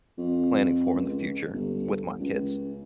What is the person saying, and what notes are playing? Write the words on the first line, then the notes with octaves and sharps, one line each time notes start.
planning for in the future, with my kids.
F2
C#2
G1
C#2